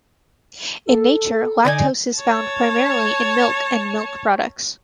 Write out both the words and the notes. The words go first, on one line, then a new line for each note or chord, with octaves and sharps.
In nature, lactose is found primarily in milk and milk products.
A4
D3 D#4 D5 G#5
C#5 A5